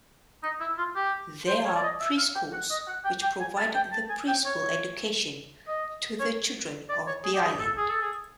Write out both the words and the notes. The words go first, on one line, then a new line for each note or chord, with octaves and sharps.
There are pre-schools which provide the pre-school education to the children of the island.
D#4
E4
F4
G4
C5
C#5
D5
D#5
E5
F5
G5
F#5
D#5
F#5
G5
G5
G#5
A5
G5
A5
G#5
G5
C#5
D#5
C#5
D5
C#5
G#4
G4
G#4
A4
G#4
A4
G#4